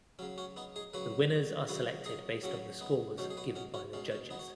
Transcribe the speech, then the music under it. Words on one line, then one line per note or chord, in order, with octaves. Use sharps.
The winners are selected based on the scores given by the judges.
C#3 F#3 C#4
C#4 F#4
B3 D#4
D#4 G#4
C#3 F#3 F#4 B4
C#3 F#3 F#4 B4
D#4 G#4
C#3 F#3 C#4 F#4
B3 D#4
B2 F#3 C#4 F#4
G#4
F#4 B4
C#4 F#4
C#4 F#4
B2 G#3 C#4
C#4
B3 D#4
F#4